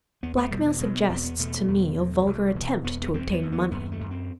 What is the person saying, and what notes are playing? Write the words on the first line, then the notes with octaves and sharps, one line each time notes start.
"Blackmail suggests to me a vulgar attempt to obtain money."
E2 B3
A3
B2 G3
E3
B2 F#3
B3
E2 C4
B3
B2 A3
E2
B2
C2
B2 E3
E2 B3
B3
D#2 C4
B3
D#2
B3
F#2 B3
A3
F#2
C4